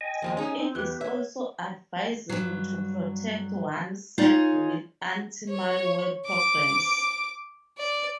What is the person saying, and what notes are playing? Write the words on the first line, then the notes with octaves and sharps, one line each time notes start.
It is also advisable to protect oneself with anti-malware programs.
D#5 G5 G#5
D#2 F3 G#3
C#4 D#4 G#4
C4
E2 G4 B4
C#5 E5
G2 F#3
D#4 F4 G#4 C#5
C#5
D6
D5